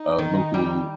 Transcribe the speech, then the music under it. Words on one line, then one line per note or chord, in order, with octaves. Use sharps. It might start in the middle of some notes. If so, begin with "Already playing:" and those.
a local
Already playing: D#4
D#3
G3